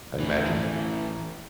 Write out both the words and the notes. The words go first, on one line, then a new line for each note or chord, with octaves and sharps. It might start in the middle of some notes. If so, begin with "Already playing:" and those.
I imagine.
A2 E3